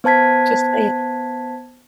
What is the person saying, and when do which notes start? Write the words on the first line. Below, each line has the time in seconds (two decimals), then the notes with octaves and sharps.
just saying
0.04 B3 C5 A5 G#6 B6